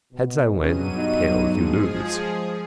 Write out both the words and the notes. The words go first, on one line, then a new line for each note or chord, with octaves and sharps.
Heads I win tails you lose.
B2
G2 C#3 F#3 D#7
B1 D#5
F3 G#3 G#4